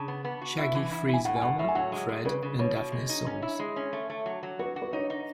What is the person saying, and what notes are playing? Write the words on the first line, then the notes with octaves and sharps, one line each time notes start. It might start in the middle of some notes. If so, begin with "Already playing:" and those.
Shaggy frees Velma, Fred, and Daphne's souls.
Already playing: C#3 A5
B3
B3
F#4
E4
E3
E4
E4 G#5
A2 F#5
G#5
A2 F#5
A2 E5
G#5
F#3 F#5
G#3
G#3
C#3 B4
C#3
B2 C#5
B2
G#3
D#4
C#4
E4
G#3
C#4
A3
A3
F#3
F#3
F#4 B4
F#4
B4
D#4 C#5
D#4